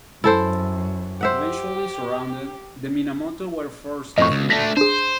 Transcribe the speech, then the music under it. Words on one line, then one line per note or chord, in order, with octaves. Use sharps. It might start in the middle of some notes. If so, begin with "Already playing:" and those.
Eventually surrounded, the Minamoto were forced to flee.
F#2 E4 A4 C5
G4 C5 E5 F#5
F2 A2 D#5 C#6
C#2
A3 D4 A#6 B6
D4 G#4 C5